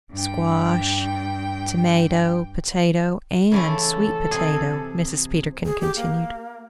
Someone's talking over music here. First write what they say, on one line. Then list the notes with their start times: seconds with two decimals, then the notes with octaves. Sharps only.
"Squash, tomato, potato, and sweet potato," Mrs. Peterkin continued.
0.12 G2 G5
3.52 C#3 E3 A3 A4
4.31 C3 G#4
5.64 G#4
5.81 G4
5.97 A#3